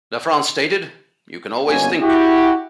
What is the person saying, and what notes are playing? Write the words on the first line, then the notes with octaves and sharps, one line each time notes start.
LaFrance stated, You can always think.
G1 B2 A#3 C#4 G#5
E4 F#4 G4